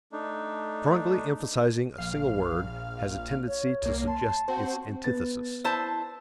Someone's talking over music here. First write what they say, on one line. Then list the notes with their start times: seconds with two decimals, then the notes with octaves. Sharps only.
Strongly emphasizing a single word has a tendency to suggest its antithesis.
0.12 A3 D4 D#4
1.98 A#1 F5 F6
3.47 C#5
3.83 C2 A#3
4.07 A5 C6
4.48 C4 F#4 C5
5.04 B3 A6
5.64 E4 C5 A5